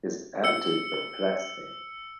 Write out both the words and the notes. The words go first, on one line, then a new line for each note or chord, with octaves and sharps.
His attitude perplexed me.
E6 C#7